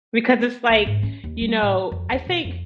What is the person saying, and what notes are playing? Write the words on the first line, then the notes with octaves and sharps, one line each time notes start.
because it's like you know, I think
C#2
G#2
C#4
D#2
G3
A2
F3
F2
E2
B2
F2